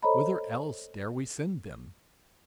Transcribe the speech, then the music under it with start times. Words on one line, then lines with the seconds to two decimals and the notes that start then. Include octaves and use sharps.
Whither else dare we send them?
0.03 A4 C5 C#5 D#5 A#5 B5